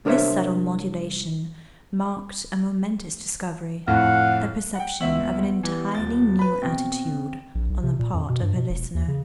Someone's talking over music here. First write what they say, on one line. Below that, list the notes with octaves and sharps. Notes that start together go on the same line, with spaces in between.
This subtle modulation marked a momentous discovery--the perception of an entirely new attitude on the part of her listener.
C2 D4 A#4 C5 C#5 E5
F2 A2 F5 F#5
F#5 G5
C#2 B3 E5 F#7
E3 G3
D#1 A6
B4 B5
B2 C4
A#1
B1
C3
A#2
F2
B2
G2
B2
E1
D#2
C#3